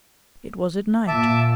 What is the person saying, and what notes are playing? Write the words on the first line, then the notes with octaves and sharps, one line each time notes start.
It was at night.
A#2 E5 A5 D6